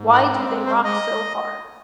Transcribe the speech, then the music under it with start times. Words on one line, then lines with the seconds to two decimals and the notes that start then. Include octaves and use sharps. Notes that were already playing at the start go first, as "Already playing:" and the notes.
Why Do They Rock So Hard?
Already playing: G#2
0.12 G#3 A#4
0.30 C4
0.49 G#3
0.66 G#3 C5
0.84 G#3 D#5